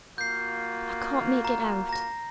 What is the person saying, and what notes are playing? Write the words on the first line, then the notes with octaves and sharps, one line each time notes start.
I can't make it out.
A#3 F4 F#4 G6 C7
A#5
A#5 A#6